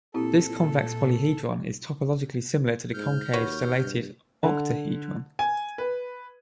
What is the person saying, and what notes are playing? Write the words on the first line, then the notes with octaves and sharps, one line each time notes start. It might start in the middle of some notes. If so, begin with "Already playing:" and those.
This convex polyhedron is topologically similar to the concave stellated octahedron.
A#2 C4 E4 G4 A4
G#2 F6 G6
D#2 F#4 B4 C#5
G2
D3
G#5
B4